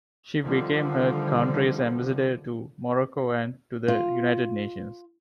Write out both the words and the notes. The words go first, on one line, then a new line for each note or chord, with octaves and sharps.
She became her country's ambassador to Morocco and to the United Nations.
D3 D#3 F3 G3
F4